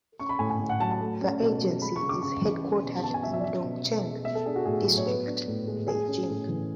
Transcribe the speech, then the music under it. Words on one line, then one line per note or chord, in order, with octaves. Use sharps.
The agency is headquartered in Dongcheng District, Beijing.
C#4 C#6
B5
A2 G#5
G#5
A2
F#5
F#3 A5
A5
A3
C#4
B2
F#3
G#3 B5
C#6
C#3
D6
C#3 C#6
E3
C#4
B2
B2 A5
G#5
F#3 E5
E5
D5
C#4 E5
B2
B2
G#3
B3 E5
A4
D4 G#4
F#4
A2 G#4
F#3
C#5
B3 B4
D4
A2
G#3
A3 G#4
C#4
A2
E3